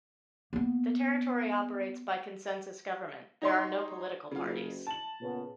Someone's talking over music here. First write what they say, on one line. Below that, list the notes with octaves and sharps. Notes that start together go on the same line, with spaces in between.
The territory operates by consensus government; there are no political parties.
A#3 B3
D#4 C#5 C6
F#1 C#3 F4
A5 F#7
A#2 C#3 B3